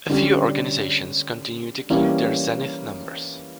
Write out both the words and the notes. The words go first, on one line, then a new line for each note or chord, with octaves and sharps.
A few organizations continue to keep their Zenith numbers.
D3 G3 C#4
E3 G3 A#3 C#4